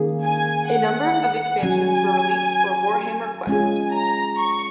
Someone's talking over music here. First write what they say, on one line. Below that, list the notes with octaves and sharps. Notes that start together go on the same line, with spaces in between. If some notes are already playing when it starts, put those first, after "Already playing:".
A number of expansions were released for Warhammer Quest.
Already playing: D#3 A#3 C#4 G#4
G#5
F#5
F#3 C#4 F#4 G#5
G#3 C#4 F4 G#4 G#5
A#5
C#6